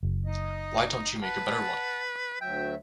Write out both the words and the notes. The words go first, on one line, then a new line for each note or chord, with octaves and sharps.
Why don't you make a better one?
F#1
D#4 D#5
B4 F#5 A5
D2 F#3 E5 G5